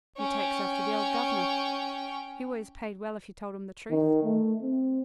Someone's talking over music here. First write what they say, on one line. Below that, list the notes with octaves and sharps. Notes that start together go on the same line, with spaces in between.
You takes after the old governor; he always paid well if you told him the truth.
C#4 G5
D#3
A3
C4